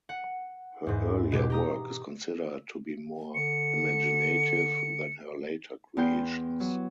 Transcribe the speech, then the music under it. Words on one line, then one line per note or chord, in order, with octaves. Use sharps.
Her earlier work is considered to be more imaginative than her later creations.
F#5
E2 G#2
B2 G#3 G4
G4 A#5 D#6
D3 C#7
E2 B3 G5 C6 G6
F#3